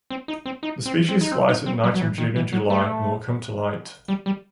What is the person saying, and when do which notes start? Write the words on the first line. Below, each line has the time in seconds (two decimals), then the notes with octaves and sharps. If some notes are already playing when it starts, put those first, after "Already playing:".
The species flies at night in June and July and will come to light.
0.10 C4
0.28 D#4
0.45 C4
0.63 D#4
0.86 C4
1.09 C4
1.21 D#4
1.32 C4
1.49 D#4
1.66 C4
1.84 F#3
1.94 F#3
2.01 E3
2.18 D#3
2.36 E3
2.53 F#3
2.70 A3
4.08 G3
4.26 G3